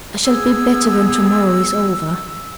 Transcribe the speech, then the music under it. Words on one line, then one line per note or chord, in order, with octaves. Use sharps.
'I shall be better when to-morrow is over.'
B3 G#4 E6